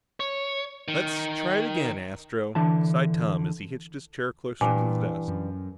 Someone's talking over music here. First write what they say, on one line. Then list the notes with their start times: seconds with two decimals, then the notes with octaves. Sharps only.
"Let's try again, Astro," sighed Tom as he hitched his chair closer to the desk.
0.20 C#5
0.88 D#3
2.55 D3 E3 A5
4.61 G2 A#2 E3 G#5 D6
5.28 F#2